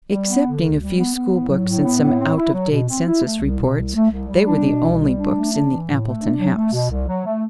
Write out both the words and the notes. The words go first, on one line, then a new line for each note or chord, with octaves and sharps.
Excepting a few school-books and some out-of-date census reports, they were the only books in the Appleton house.
G3
B3
D3
D2
G3
B3
B3
A2
F#3
A2
B3
A2
C4
E4
F#3
B2
C4
E4
A3
C2
B2
C2
A3
C2
G3
D4
B2
C2
G3
D4
A3
D4
E3
A2
A3
D4
F#3
A3
B2
C2
F#3
A3